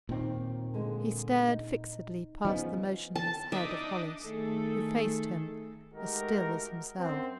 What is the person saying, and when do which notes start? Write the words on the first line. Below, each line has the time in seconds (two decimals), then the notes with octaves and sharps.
He stared fixedly past the motionless head of Hollis, who faced him, as still as himself.
0.09 D#2 A#2 D#3 C4 G5
0.74 D3 G#3 A#3
1.47 D#4
2.45 C#3 F3 B3 D#4
3.16 A5
3.52 D4 D#4 E5
4.21 D#3 A3 G#4 A4
5.94 G#3 A3 D#4 F#4 G4 A#4
6.97 F#2 C4